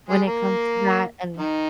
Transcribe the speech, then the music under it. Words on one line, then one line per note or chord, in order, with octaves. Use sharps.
when it comes to that, an
G#3 G#4
A#3 A#4
D#3 D#4